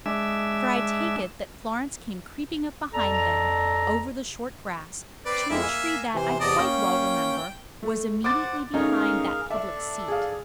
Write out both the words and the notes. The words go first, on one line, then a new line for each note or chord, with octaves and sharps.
For I take it that Florence came creeping up behind them over the short grass to a tree that, I quite well remember, was immediately behind that public seat.
G#3 D4 E5
F2 A4 D5 A#5
C4 B4 D5
F2 G#3 A#3 E4 E5
G#5
C3 E3 C5
E2 C3 D5 D#5 A5
A#3 C#4 G5
A3
C5 F#5 D6 A6
A3 C#4 D#4 G#4 A#4 F5
D4 A4 D5 E5
G#4 F5